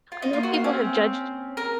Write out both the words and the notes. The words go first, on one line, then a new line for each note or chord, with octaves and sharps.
I know people have judged
F4
D#4
A#3 F4
F#4
F4
C4 C#4
A#4